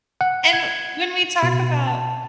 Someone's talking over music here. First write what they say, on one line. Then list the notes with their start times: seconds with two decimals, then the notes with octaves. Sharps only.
And when we talk about
0.21 F#5
0.53 G#6
1.43 B2
1.87 A5